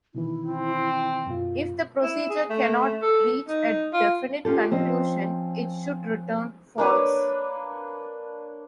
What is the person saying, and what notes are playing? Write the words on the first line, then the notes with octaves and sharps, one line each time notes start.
If the procedure cannot reach a definite conclusion, it should return "false".
B2 D#3 E3 E4
C4
F#2 B2 F4
E4
G#4
A3
A4
D#4
F4
C#4 F4 G4 A4
F3 C4 C#4 D#5
A#3 D4 B4 C#5